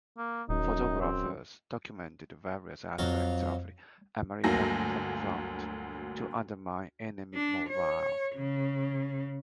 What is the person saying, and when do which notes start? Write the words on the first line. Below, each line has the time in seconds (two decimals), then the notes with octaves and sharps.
Photographers documented various aspects of the American homefront to undermine enemy morale.
0.18 A#3
0.49 D#1 F#2 D#4
1.01 C4
2.99 F2 F#3 C#5 F5
4.44 G1 D2 F#3 A#3 G#5 A#6
7.34 D4
7.69 C#5
8.36 C#3